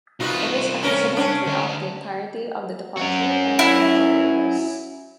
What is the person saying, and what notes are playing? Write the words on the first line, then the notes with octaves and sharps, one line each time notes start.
It is accessible throughout the entirety of the departure and arrival areas.
C2 D#4 F4 F#4 B4
C#4 A#4
C#4 D4
D2
C#4 F#4
E4